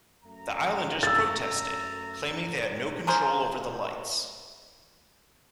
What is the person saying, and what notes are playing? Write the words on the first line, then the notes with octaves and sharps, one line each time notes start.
The Islanders protested, claiming they had no control over the lights.
F#2 A3 A#5
E6 A6
G#4 A#4 C5